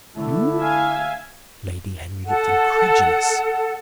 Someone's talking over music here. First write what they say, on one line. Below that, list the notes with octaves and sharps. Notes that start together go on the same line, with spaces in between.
"You?" Lady Henry looked incredulous.
D3 A3 E4
E5 F5 G#5
A4 F#5